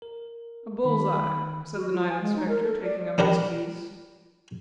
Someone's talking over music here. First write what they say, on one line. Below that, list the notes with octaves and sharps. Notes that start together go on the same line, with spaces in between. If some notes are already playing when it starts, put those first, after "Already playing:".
'A bull's-eye,' said the Night-Inspector, taking up his keys.
A#4
D#3 B5
F#4
F4
G#5
G#3
D#4
A#4
A4
D5
B3 D4 G4 A#4 B4